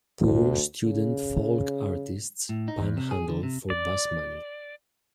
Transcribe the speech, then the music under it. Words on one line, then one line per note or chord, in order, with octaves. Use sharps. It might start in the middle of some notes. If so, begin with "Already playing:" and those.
Poor student folk artists panhandle for bus money.
D2
C#3
A2
D#4
E2
C3
G#4
D3
C3
D5